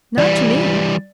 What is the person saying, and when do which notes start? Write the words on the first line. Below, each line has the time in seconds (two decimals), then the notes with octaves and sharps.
"Not to me."
0.18 E3 G3 D5